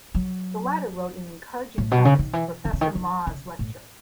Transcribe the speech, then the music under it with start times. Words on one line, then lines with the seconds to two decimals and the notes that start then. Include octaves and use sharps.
The latter wrote an encouraging preface to "Professor Mmaa's Lecture".
0.15 F#3
1.78 A2
1.91 B2
2.05 C#3
2.19 D#3
2.33 E3
2.65 D#3
2.73 C#3
2.81 D#3
2.95 D#3
3.27 C#3
3.59 A2